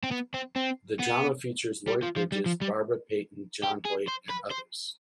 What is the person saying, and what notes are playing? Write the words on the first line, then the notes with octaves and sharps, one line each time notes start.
The drama features Lloyd Bridges, Barbara Payton, John Hoyt, and others.
C4
B3
C4
C4
B3
G3
F3
F3
G3
F3
G3
G4
G#4
C5
B4
C5